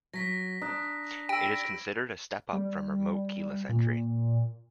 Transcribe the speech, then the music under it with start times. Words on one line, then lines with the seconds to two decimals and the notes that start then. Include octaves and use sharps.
It is considered a step up from remote keyless entry.
0.14 F#3 A#6 B6
0.62 D4 A#5 D#6 F#6
1.29 G4 G5 B5 E6 A#6 D7
2.53 G3
3.69 A#2